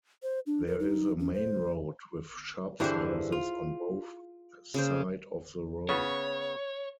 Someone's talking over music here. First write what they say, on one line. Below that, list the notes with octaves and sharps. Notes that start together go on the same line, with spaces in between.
There is a main road with shops houses on both side of the road.
C5
D4
A#4
D#4
C#4
C5
G2 D3 E3 E4 G#4 C5
F4
C#3 A#3 C5
C#3 B3 C#5